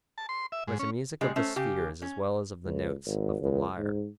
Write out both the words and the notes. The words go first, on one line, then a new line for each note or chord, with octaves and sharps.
There was a music of the spheres as well as of the notes of the lyre.
A5
C6
E5
G#2
C#4
C#3 G3 G#3
A3 C#4 C5 E5
C#3 G4
C#4
C#2
G#1
C#2
G#2